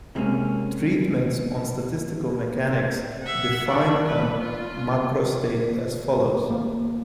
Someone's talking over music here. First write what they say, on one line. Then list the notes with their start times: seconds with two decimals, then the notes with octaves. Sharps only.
Treatments on statistical mechanics, define a macrostate as follows.
0.15 C3 G3 G#3 A#3 C4 C#4
3.23 E5 F#5
3.69 D4
4.08 B4
4.39 F4
6.51 A#3